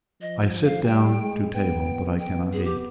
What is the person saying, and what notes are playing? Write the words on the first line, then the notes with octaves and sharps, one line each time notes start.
I sit down to table; but I cannot eat.
F3 D#5
F5
G#5
G3 G5
G#3
B3 G5
B3 G5
G#4
G4